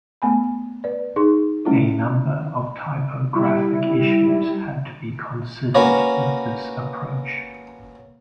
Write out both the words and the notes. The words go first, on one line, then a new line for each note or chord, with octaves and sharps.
A number of typographic issues had to be considered with this approach.
A3 B3 G#5 B5
B4 D5
D#4 G#4 C6
G3 A3 C#4 D4 E4 F4
G3 E4
A#3 C#4 F#4 B4 C#5 F#5